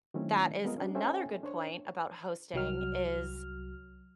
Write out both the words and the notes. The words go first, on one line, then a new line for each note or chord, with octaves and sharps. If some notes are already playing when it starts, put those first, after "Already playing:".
that is another good point about hosting, is
D#3 F#3 A3 C4 C#4 E4
G#3 B3 C4 F4 A#4 D#5
C#4 D4 F#4
C#4 A4 C5 E5 G5 G#5
D4 C5 C#5
C2 F#3 F6